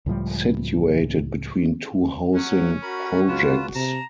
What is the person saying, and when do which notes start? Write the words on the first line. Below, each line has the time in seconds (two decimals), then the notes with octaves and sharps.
Situated between two housing projects.
0.06 C#2 A2 F3 G3
2.35 F#3 C#4 F#5
2.82 F#4 A#4 B5
3.28 C#2 F4 B4 A5
3.75 C3 A5 A#5